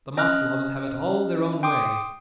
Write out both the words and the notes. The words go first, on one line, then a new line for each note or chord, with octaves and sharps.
The Maslovs have it all their own way.
C#4 D#5 F6 F#6
G5 C6 D6 D#6